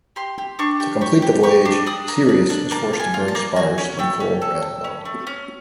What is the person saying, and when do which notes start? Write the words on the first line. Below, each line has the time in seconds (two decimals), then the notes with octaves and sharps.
To complete the voyage, "Sirius" was forced to burn spars when coal ran low.
0.16 G4 C6
0.38 G4
0.59 D4 C#6
0.80 G4
1.01 G4 C#6
1.22 G4
1.43 G4 C#6
1.65 D4
1.86 D4 D#6
2.08 A#3
2.29 D4
2.50 D4
2.71 A#3 A5
2.93 F4
3.00 G#5
3.14 F4
3.28 A5
3.35 A#3
3.56 F#4 G#5
3.78 C#4
3.99 A3 G5
4.20 C#4
4.42 A4
4.62 A4
4.84 C#4
5.05 A3
5.27 C#4